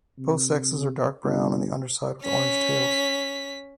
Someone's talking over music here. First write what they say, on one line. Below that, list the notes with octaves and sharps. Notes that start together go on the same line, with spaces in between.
Both sexes are dark brown on the upperside with orange tails.
C3
G1
C#4 B6